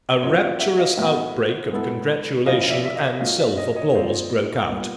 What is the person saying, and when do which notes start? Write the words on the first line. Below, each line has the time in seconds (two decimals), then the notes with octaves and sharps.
A rapturous outbreak of congratulation and self-applause broke out.
0.23 A#2 F#3 A#3 C#4 F4 C#5 D#5
0.34 F5
0.42 D5 E5
0.59 E5 F#5
0.79 D#5 F5
0.97 A2 F#3 B3 E5 F#5
1.71 G#3 B3 E4 A4
2.46 C#3 F3 A#3 C#4 E4 D#5 F5
2.62 F5
2.70 D5 E5
2.85 E5
2.95 D#5 F5
3.20 A#2 F3 A3 C#4 F#4 D#5 F5
3.39 D5 E5
3.57 C#5 D#5
3.76 C#5 D#5
3.95 A#2 G3 C4 F4 G#4 C5 D5
4.69 A#2 G3 B3